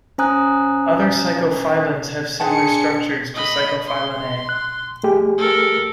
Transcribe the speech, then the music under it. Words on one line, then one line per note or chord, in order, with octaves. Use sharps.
Other cyclophilins have similar structures to cyclophilin A.
C#4 C5 G#5 A#5 D#6 F#6
C4 D4 G#4 F#5 A5 C#7
D#5 B5
C6
F#6
A3 G4 G#4
A4 A#4